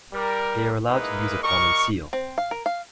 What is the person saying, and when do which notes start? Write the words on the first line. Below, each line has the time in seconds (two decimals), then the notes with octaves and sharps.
They are allowed to use a common seal.
0.13 G3 A#4
0.89 G#3 A#3 D#4 E4 A#4 B4
1.42 G3 A#4 D#5 C#6
2.13 C4
2.38 F5
2.51 A#4
2.66 F5